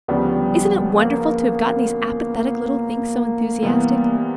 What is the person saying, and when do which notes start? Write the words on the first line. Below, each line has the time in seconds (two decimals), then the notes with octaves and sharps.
Isn't it wonderful to have got these apathetic little things so enthusiastic?
0.08 D2 C#3 F3 G3 G#3 B3
0.97 A#3
3.62 C3 E3 G3 B3